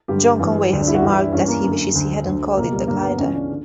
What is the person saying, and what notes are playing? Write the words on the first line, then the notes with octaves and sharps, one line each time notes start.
John Conway has remarked that he wishes he hadn't called it the glider.
G2 D3 G4
G2 E3
D2 D3
D4
E4
F#4
G2 E3 G4
E4
D4
G2 E3 C#4
A#3
F#2 D3
D2 D3
D2 D3
C#2 B2 A#3
G3
G2 D3 A#3
B3
C#2 C#3 E3 C#4
D4
D3